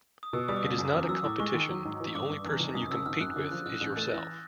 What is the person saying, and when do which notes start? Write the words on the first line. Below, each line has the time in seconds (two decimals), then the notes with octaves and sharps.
It is not a competition, the only person you compete with is yourself.
0.23 D#6
0.33 B2 E6
0.48 G3 D#6
0.56 D6
0.63 F#1 D#6
0.78 F#2 D#6
0.94 E2 D6
1.08 F#3 E6
1.24 A2 D6
1.39 G#3 C#6
1.54 D#3
1.70 F#3
1.85 G#2
2.00 E3
2.15 G2 D6
2.30 G2
2.45 E2
2.60 F1
2.75 F#2 D#6
2.90 F#1 E6
3.06 G#1 F6
3.21 F#2 F#6
3.36 D3
3.51 F3 F#6
3.66 A1 F6
3.77 F#6
3.81 A1
3.86 G6
3.96 A3 A6
4.12 E3 A#6